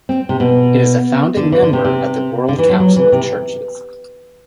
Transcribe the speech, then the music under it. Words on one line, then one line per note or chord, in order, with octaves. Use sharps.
It is a founding member of the World Council of Churches.
C4
C3
B2
D3
E3
D3
C3
C3
D3
E3
F#3
F#3
E3
C3